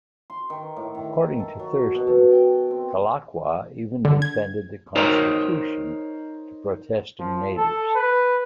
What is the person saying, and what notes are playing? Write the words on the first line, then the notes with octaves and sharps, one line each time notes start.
According to Thurston, Kalakaua even defended the constitution to protesting natives.
C6
D#3
A2
D#3
D#3
A4
F#3
B2
A4
G5
C4
D3
G#6
D#4 A#4 C5 C#5
F3
A4
B4